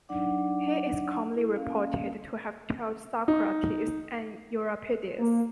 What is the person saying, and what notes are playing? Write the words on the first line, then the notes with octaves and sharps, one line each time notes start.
He is commonly reported to have taught Socrates and Euripides.
F#3 D4 D#4 D5 F#5 D6
E4 A4
A#3 C#4 F5
D#4
A#3